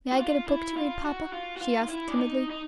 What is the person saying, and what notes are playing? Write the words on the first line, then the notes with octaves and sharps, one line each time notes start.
"May I get a book to read, papa?" she asked timidly.
F#4
F4
E4
F4
F#4
F4
F#4
F4
F4
E4
D4
D#4
D#4